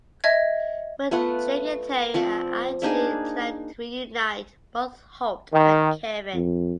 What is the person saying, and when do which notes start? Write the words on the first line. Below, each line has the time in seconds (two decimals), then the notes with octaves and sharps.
But Jake and Terry are actually planning to reunite both Holt and Kevin.
0.24 D#5 E5 G#6
1.11 A3 B3 F4 F#5
2.14 F3 C4 D5
2.82 A#3 D4 D#4 G#4
5.53 D#3
6.34 F2